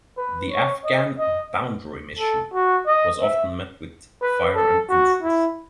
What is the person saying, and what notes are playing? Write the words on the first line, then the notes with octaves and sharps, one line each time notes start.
The Afghan Boundary Mission was often met with fire and incense.
B4
C#5
D#5
D#5
A4
F#4
D#5
E5
B4
A4
F#4
E4